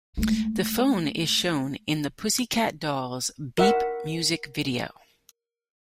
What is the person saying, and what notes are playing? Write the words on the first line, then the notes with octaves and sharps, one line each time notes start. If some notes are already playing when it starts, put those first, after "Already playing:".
The phone is shown in the Pussycat Dolls' "Beep" music video.
G#3 A3
A#4 E5 F#5